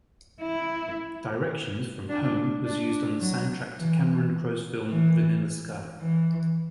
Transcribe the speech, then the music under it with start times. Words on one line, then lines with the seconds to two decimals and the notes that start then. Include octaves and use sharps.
"Directions" from "Home" was used on the soundtrack to Cameron Crowe's film "Vanilla Sky".
0.42 E4
2.09 D4
2.66 D4
3.21 F#3
3.77 E3
4.90 E3
6.01 E3